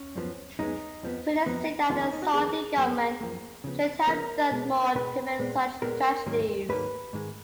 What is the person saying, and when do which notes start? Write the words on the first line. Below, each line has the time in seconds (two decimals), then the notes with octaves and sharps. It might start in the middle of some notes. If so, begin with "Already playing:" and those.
Critics say that the Saudi government should have done more to prevent such tragedies.
Already playing: C#4
0.16 F#2 F3 G#3 B3
0.59 F#2 F3 G#3 B3 D#4
1.03 F2 F3 B3
1.46 F2 F3 B3
1.90 F2 D#3 G#3 B3 F4
2.01 D#4
2.12 D#4
2.22 F#4
2.33 F2 D#3 G#3 B3 G#4
2.77 F#2 F3 A#3
3.21 F#2 F3 A#3
3.64 C#3 F3 B3
4.07 C#3 F3 B3 A#4
4.51 B2 G#3 B3
4.95 B2 G#3 B3 B4
5.39 A#2 G#3 B3
5.82 A#2 G#3 B3 A#4
6.26 G#2 D#3 F#3 A#3
6.69 G#2 D#3 F#3 A#3 B4
7.13 G#2 D#3 G#3